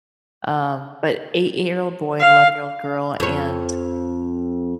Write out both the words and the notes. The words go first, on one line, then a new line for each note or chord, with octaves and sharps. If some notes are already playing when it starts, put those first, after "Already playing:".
um, but eight-year-old boy and eleven-year-old girl and,
F5
F2 C#5